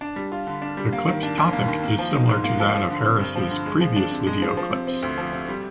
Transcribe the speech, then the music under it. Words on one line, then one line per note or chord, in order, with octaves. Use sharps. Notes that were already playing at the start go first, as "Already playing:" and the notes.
The clip’s topic is similar to that of Harris’ previous videoclips.
D4
G3
F4
D3
D4
G3
A#3
D#3
D4
D#2
A#3
D#3
A#3
F3
D#4
G#2
A#3
F3
F3
D3
C4
G2
F3
D3
G#3
F3
D4
C3
G#3
F3
F3
C3
C4
D2
F3
C3
G3